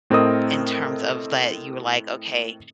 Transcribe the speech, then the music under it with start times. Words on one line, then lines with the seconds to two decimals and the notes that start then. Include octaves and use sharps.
in terms of that you were like, "Okay,
0.10 A2 C4 A4 A#4 D#5 D#6